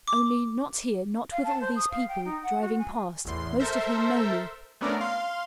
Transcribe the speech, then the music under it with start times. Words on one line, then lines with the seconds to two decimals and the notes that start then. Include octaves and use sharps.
Only, not here, not with all these people driving past; most of whom know me.
0.08 D6
1.32 F5
1.44 A5
1.61 C5
1.76 D#6
1.91 F5
2.08 G5
2.25 D#4
2.43 F#5
2.61 F#4
2.78 G#5
3.25 A1 E2 C6
3.60 A4 A#4 C5 E5
4.81 A3 B3 C#4 D4 A#4 D5
5.00 F5 C6